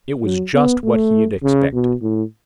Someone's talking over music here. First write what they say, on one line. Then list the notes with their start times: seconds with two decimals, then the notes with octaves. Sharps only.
It was just what he had expected.
0.24 F#3
0.54 B3
0.83 A3
1.43 C#3
1.73 B2
2.02 A2